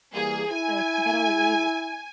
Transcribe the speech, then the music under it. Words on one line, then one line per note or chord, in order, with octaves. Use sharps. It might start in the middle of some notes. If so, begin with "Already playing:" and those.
Yeah, I forget all the names.
E3 G3 A#3 G#4
E4 G#5